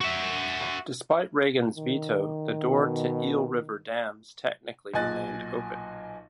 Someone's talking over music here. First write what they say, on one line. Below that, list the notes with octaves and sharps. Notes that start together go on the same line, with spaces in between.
Despite Reagan's veto, the door to Eel River dams technically remained open.
F#4 E5
D#3
B2
B1 A#2 D#5 G#5 F#6 A6